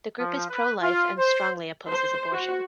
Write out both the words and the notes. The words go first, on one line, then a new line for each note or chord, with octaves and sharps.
The group is pro-life and strongly opposes abortion.
F3
B4
F4
C5
C5
F#4